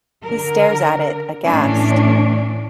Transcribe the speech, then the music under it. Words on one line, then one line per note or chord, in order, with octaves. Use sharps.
He stares at it, aghast.
D3 A#4
A2 E3 C#4 D4